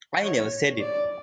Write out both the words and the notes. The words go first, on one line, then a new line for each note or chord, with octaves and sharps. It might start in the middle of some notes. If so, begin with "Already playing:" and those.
I never said it.
C#5
D5